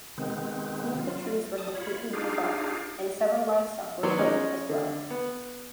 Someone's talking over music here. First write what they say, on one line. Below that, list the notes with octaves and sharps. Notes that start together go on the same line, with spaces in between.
Some of the trees were completely debarked, and several livestock were killed as well.
C3 D#3 G#3 B3 C4
F#3 F4
F#3 A5 D#6
F4 C#5 B5
D4 D#4 F4 G4 G#4 F5
D#3 F#3 B3 C5 D5
G#3 C#4 D#4
D3
B3